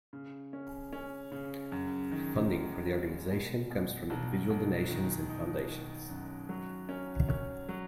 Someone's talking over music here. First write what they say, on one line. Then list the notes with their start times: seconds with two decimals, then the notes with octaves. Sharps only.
Funding for the organization comes from individual donations and foundations.
0.13 C#3
0.53 C#4
0.93 C#4
1.32 C#3
1.72 F#2
2.12 D#3
2.51 D#3
2.92 G#3
3.31 B2
3.70 B2
4.10 B1
4.50 B1
4.90 D#3
5.30 D#4
5.69 D#3
6.10 F#2
6.49 F#3
6.89 C#4
7.29 C#4
7.69 F#3